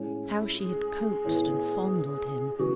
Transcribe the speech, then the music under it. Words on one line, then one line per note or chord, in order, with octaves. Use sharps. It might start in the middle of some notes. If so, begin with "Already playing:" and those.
How she had coaxed and fondled him!
Already playing: A2 G#3 C#4
E4
G#4
A2 E3 B3
G#4
C#3 F#3 B3 E4 F#4